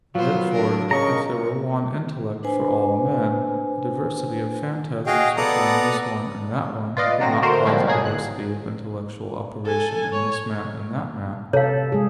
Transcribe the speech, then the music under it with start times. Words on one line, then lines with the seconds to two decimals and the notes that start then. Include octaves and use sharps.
Therefore, if there were one intellect for all men, the diversity of phantasms which are in this one and that one would not cause a diversity of intellectual operation in this man and that man.
0.15 F#3 B3 F4 C5
0.51 D4 A#4
0.91 C#3 A#4 D#5 A#5 C#6 C#7
2.43 D4 B4 C5 G#5
5.06 F#4 G#4 D#5 F5 G5
5.37 B3 A4 D5 F#5 A#5 D#6
6.97 F4 B4 D5 D#5 F5
7.20 D3 F#3 C4 A#6
7.42 D3 A3 F#4 A#4 C5 G6
7.65 D3 F3 G3 G#3 A#3
7.86 B2 F#3 A#3 G#4
8.04 G1 F#6
9.64 A4 G#5
10.12 C#5
11.53 C3 A4 C#5 F5
11.92 G#3 G#4